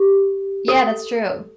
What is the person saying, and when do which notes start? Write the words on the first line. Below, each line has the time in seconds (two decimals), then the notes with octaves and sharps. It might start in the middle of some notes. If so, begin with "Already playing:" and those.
Yeah, that's true.
Already playing: G4
0.68 A4